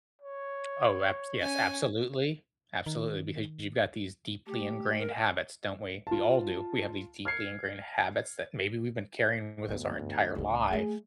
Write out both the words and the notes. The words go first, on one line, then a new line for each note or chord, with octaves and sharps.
Oh, abs yes, absolutely. Absolutely, because you've got these deeply ingrained habits, don't we? We all do. We have these deeply ingrained habits, that maybe we've been carrying with us our entire life,
C#5
C#4 G#5
D#3
A3 G4 G5
A#4
F4 A5
F6 G#6 C7 C#7
D2 G2 B3
C#2 A3
G3 A3 G#4